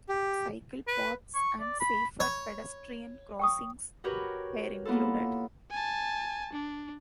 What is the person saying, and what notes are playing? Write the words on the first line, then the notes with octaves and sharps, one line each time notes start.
Cycle paths and safer pedestrian crossings were included.
G4
B4
C#6
D5
B5
C#5 B5
G5 C#6 D#6
F#4 G4 A#4 B4 C#5
A#3 B3 E4 F4 A4
G#5 A5
D4